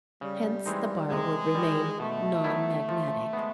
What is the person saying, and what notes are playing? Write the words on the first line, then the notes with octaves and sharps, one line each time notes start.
Hence, the bar would remain non-magnetic.
C#3 G3
E3 G#3 C4 D#4
C3 G#3
D#3 G3
B2 A3
F#3 B3 E4
F3
G#3 B3